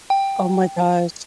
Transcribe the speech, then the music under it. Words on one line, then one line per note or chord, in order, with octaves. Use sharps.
Oh my gosh.
G5